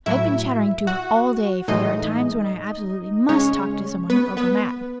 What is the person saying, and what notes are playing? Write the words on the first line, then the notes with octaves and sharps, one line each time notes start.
I have been chattering to her all day, for there are times when I absolutely must talk to someone or go mad.
A2 F#3 E4 E5
F#4 F#5
A2 E3 G#3 D#4 D#5
C#3 G#3 C#4 C#5
B3 B4
B3 B4